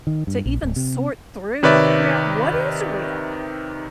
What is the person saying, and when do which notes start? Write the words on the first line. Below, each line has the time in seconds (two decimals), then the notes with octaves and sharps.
to even sort through to figure out what is real.
0.07 D#3
0.27 G2
0.46 A#1
0.63 D1
0.76 C3
1.63 C3 D#3 B4 C#5 D5 E5